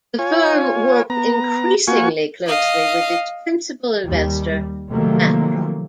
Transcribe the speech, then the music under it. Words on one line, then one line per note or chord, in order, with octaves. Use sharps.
The firm worked increasingly closely with its principal investor Matra.
F4 C#5 G#5
B3 A#5
A#3 F4 F#4 G#5 C#6
D#5 F5
D#2 G3
C3 D#3 F3 F#3 A3 A#3